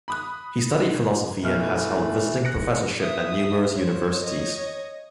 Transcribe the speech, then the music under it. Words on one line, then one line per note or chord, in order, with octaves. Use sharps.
He studied philosophy and has held visiting professorship at numerous universities.
B5 D#6 F#6
B1 E3 A3 F6
F#6 A#6 C#7
E5 D#6
C5 C#5
C#5 D#5